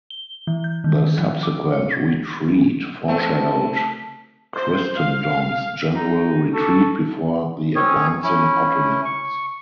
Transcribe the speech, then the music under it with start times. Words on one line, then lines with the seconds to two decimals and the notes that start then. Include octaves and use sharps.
The subsequent retreat foreshadowed Christendom's general retreat before the advancing Ottomans.
0.10 G7
0.47 E3
0.64 G6
0.84 D#3
1.19 F3
1.43 D6
1.73 C#5
3.08 A3 C4 A5
4.57 C5
4.97 F5
5.95 D#4
6.54 F#4 A4
7.75 C4 C#4 G#4 C#5
8.24 C#4 E4
9.05 C#6